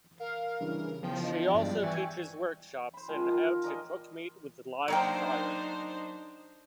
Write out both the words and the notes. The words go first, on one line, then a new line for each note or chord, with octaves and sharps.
She also teaches workshops in how to cook meat with live fire.
A#4 F5
G2 C#3 E3
E2 F3 G5
D4 F4 D#5
G2 F3 G3 G#3 D5
E3 G5 G#5 C#6
C5 B5
D#3 F3 G#3 F4
A#4
A#4 D5 D#5 G#5
F#3 A#3 D4 D#4 C5 G5